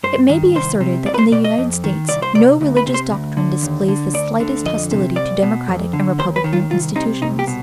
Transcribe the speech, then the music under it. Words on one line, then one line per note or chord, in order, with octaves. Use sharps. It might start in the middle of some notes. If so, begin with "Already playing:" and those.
It may be asserted that in the United States no religious doctrine displays the slightest hostility to democratic and republican institutions.
G2 C5
D#3
C2 C5
C3
C2 D5
B4
C5
B2 D5
D#5
F2
D#3
C2 D5
C5
C3 D5
D2
B4
C3
C5
D2
D3
D#2
D3
D2 D5
D3
F2 D#5
C3
C2 D5
B2
F2
D3
D#2 C5
B4
D#3
F4
C2 F4
C3 D#4
C2 D#4
G4
B2